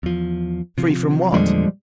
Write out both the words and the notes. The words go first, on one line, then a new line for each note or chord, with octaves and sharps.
Free from what?
E2 F3
C3 F3
E2 A#2 D3 F3 G3 G#3